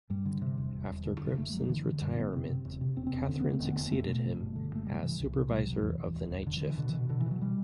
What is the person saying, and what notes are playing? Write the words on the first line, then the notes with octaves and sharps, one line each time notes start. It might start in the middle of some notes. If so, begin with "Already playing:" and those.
After Grissom's retirement, Catherine succeeded him as Supervisor of the Night Shift.
G2 G3
D3
C3
E1
E1
E1
D3
F#1
F#1 A3
F#1 F#3
D3 E3
D3
F#2 G3
F#1 B3
C3 C4
C3
E1
C3
E1 C4
C4
E1
D3 C4
D3 B3
A3
E1
B3
E1
E1 A3
B2
G1
G1
D3
G1 A3
C3 G3
C3 E3
C2
C3
B2 G3
E1 F#3
E2 E3
E1
E1
D2
E1 D3
E3
D3
E3
B2 D3
E3
B2
B2 D3
E3
B2 F#3
B2 G3